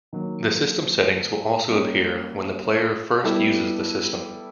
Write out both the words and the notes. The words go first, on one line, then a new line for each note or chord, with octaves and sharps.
The system settings will also appear when the player first uses the system.
D#3 F#3 A#3
G3 A#3 C#4
G3 B3 E4 A4